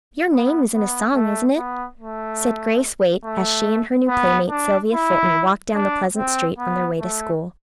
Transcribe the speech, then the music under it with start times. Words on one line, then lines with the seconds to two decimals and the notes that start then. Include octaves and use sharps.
"Your name is in a song, isn't it?" said Grace Waite, as she and her new playmate, Sylvia Fulton, walked down the pleasant street on their way to school.
0.32 B3
0.73 B3
1.14 A3
1.57 B3
1.99 A3
3.24 A3
4.08 B3
4.49 D4
4.92 E4
5.75 D4
6.17 C4
6.58 B3
7.00 A3